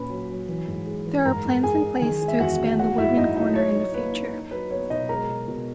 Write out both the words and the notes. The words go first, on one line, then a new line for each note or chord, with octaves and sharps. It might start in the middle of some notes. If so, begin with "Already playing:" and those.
There are plans in place to expand the Woodman corner in the future.
Already playing: A#2 C#4 B4 B5
F#3
F#3
E3
G#2
G#3
E3
G#2 A#4 A#5
G#2
G#2 G#4 G#5
D#4
D#3 G#4 G#5
G#3
E5
E2 F#4 F#5
D#4
A#3 F#4 F#5
G#2 E4 E5
G#2 D#4 D#5
F#3 D#4 D#5
D#4 C#5
D#4
A#3 B4
D#4
D#4
F#3 B4
B3 C#5
B2 D#4 D#5
G#3 A#4 A#5
B2
B2